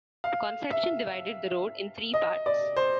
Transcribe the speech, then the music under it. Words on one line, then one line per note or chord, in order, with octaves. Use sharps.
Conception divided the Road in three parts.
F5
E5
D#5
D5
C5